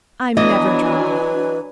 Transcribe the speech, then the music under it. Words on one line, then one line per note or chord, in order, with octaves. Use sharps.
I'm never dry.
E3 F#3 B3 D4 D#5 G#5
B4